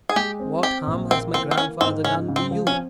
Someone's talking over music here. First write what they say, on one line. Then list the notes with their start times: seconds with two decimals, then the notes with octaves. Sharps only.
What harm has my grandfather done to you?
0.09 G#4
0.16 G#3 G4
0.40 C4
0.63 C4 G4
0.87 A#1
1.10 A#3 C4
1.33 E3 C4
1.51 C4
1.57 A#3 C#4
1.81 G#2 C4
2.04 C#3 C#4
2.28 C#3
2.36 C4
2.51 F3
2.67 C#4
2.74 C4